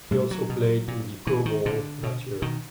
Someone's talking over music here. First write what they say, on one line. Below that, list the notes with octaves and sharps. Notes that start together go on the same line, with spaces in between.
He also played in the Pro Bowl that year.
A2 G3
F#3
B2
A#2
A#2 E3
D#3
A#2 D3
B2
B2 D#3